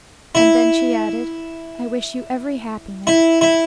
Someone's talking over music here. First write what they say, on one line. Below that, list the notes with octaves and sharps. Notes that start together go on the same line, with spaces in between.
And then she added: "I wish you every happiness."
E4
E4
E4